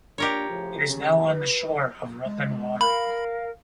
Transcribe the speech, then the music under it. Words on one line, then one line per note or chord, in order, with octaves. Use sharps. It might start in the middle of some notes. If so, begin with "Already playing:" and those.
It is now on the shore of Rutland Water.
A#2 D4 G4 A#4 C#5
A2 C#3 F3
C#3
B4
G#3
A#4 F5 B5